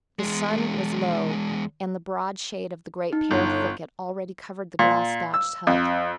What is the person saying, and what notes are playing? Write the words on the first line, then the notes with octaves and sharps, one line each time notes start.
The sun was low, and the broad shade of the great pear thicket already covered the grass- thatched hut.
E2 G#3
D#4
G1
A#2
E6
F2